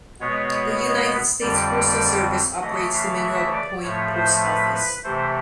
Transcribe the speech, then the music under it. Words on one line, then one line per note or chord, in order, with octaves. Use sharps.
The United States Postal Service operates the Mineral Point Post Office.
B2 G#3 B3 C#5
F2 D3 G3 D5
C#3 E3 A3 D#5
F5
E5
D5
A2 F3 A3 C#5
C5
B4
B4
C3 E3 A3 C5